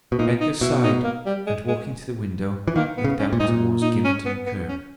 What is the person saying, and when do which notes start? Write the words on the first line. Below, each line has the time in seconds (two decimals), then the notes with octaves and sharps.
Edgar sighed; and, walking to the window, looked out towards Gimmerton Kirk.
0.12 B2
0.19 A#2 D#4
0.41 D#4
0.61 B2 E4
0.83 D#4
1.04 A#3
1.26 G3
1.47 G#3
1.68 G#3
2.68 E3
2.75 D#3 A#3
2.98 B3
3.04 C#3
3.19 C#4
3.33 A#2
3.40 G#2 D#4
3.48 A#2
3.82 D#4
4.05 C#4
4.25 B3
4.46 B3
4.69 C#4